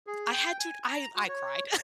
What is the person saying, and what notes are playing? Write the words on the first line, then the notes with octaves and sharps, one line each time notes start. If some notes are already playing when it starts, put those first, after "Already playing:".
I had to I I cried.
G#4
G5
G#5
A#5
F#4
C#5